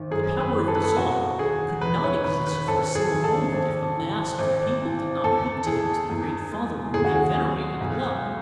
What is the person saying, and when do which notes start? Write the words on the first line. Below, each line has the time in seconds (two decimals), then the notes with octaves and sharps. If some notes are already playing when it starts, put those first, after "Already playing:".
The power of the Czar could not exist for a single moment if the mass of the people did not look to him as the great father whom they venerate and love.
Already playing: G#1 D#3
0.11 F#2 G#4
0.40 B4
0.53 E3
0.68 A4
0.75 B4
0.83 A4
0.96 E1 F#4
1.39 D#3 G#4
1.81 E1 B4
2.04 C#5
2.24 D#3 B4
2.47 B4
2.67 G#1 A4
2.95 G#4
3.11 D#3
3.24 A4
3.53 G#1
3.95 E3
4.39 G#1
4.82 E3
5.24 E2 A4
5.66 E3 G#4
6.10 E2
6.52 G#3
6.94 D#2 G#4
7.05 F#4
7.15 G#4
7.38 F#3
7.81 B1
8.22 G#3